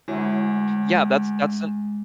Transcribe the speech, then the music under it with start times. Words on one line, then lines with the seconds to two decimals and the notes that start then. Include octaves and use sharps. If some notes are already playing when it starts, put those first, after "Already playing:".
Yeah, that's that's an
0.08 D2 G#3 E4 F#4 C#5